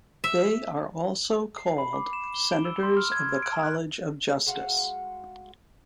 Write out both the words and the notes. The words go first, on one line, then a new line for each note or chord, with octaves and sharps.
They are also called Senators of the College of Justice.
E5
C7
B5
D6
E7
G7
D7
E6
C6
F6
G#6
D7
F#6
G#3 F#4 F5 F#5